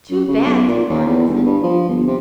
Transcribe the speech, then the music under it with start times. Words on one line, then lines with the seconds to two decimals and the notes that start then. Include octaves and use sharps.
"Too bad!" said Parkinson.
0.10 F#2
0.28 C#3
0.45 B1
0.68 A#2
0.90 D#2
1.07 E2
1.28 G1
1.46 G2
1.63 F3
1.89 G1
2.07 C3